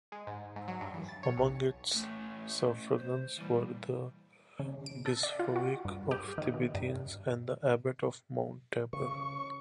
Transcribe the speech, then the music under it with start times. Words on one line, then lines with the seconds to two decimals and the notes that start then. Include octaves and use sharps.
Among its suffragans were the Bishopric of Tiberias and the Abbot of Mount Tabor.
0.12 G#3
0.27 G#2
0.56 G#2
0.68 F#3
0.81 G2
0.94 E3
1.09 A6
1.23 C#5
1.37 B1
1.93 A2 A3 C#4
2.97 C5
3.38 A#2 E3 G3
4.59 C#3
4.86 D7
5.06 A4
5.23 D5
5.39 F4
5.56 F#4
5.85 G2
6.11 G4
6.38 D#3
6.54 B2
6.74 G2
8.93 C#3 C#6